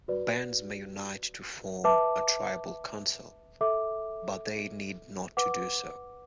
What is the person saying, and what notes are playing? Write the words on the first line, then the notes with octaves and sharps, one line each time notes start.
Bands may unite to form a tribal council, but they need not do so.
F#4 B4 D5
B4 E5 A5 D6
A4 E5 D6
B4 F#5 D6